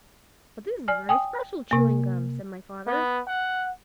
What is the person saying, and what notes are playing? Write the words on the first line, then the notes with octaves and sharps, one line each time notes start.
"But this is very special chewing gum," said my father.
D5 G#5 F6
G5 G#5 D#6
C3 A#3
B3
F#5